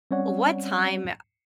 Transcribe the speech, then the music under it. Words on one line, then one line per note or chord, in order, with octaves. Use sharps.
what time
G3 C4 C#4 C#5 D5 F#5